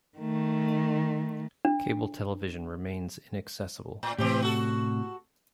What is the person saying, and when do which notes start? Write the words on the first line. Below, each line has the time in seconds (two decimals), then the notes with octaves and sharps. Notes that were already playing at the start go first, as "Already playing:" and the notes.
Cable television remains inaccessible.
0.18 D#3 A3
1.65 D4
4.03 A2
4.19 A2 C3 E3 C4 G4
4.42 F#4 A4